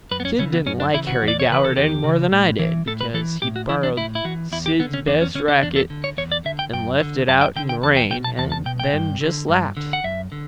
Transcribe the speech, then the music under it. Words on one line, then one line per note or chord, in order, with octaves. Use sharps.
Sid didn't like Harry Goward any more than I did, because he'd borrowed Sid's best racket and left it out in the rain, and then just laughed.
F#2 B4
B3
C#4
C#3 E3 C#4
B3
F#2 C#4
D4
C#3 E3 E4
F#4
E2
D5
C#5
C#3 E3 B4
A4
E2 G4
C#3 E3
A2
E3
A2 A4
B4
E3 A4
A2 G4
F#4
E3 E4
D4
A2 E4
E4
E3 F#4
E2 E4
G4
D3 B3
C#4
E2 D4
C#4
D3 C#4
D4
E2 D4
A4
D3
C#5
E2 C#5
D5
D3 E5
G5
F#2 G5
D3
F#2 A5
G5
D3 G5
G5
E2 A5
G5
B2 G5
A5
E2 A5
A5
B2 G5
G5
G2
D3
G2
D3
F#5
F#2 E5
D3